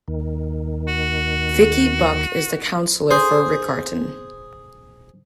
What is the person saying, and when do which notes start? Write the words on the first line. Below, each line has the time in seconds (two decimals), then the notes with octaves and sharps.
Vicki Buck is the Councillor for Riccarton.
0.08 D#2 D#3
0.88 F#4
3.11 G#4 C5